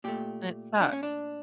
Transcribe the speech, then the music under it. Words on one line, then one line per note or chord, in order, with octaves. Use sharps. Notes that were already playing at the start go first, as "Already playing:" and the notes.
and it sucks.
A#2 A3 G4
D4
C#4
D4